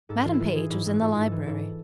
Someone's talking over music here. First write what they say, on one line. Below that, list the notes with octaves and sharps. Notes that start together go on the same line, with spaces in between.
Madam Page was in the library.
G#2 A4
E3 F4
E4
E3 F4
E3 G#4
G#2 E4
G#2 E4
G#2 F4
G#2
A4
E3
G#2 A4